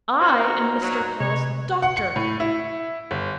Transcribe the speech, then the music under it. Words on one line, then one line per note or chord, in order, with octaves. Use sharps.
'I am Mr. Hale's daughter.
A#2 D#4 F#4 C5 A#5 F6 G#6
F#3
C3 B4 C#5
F#5
C#7
A2
E4
G1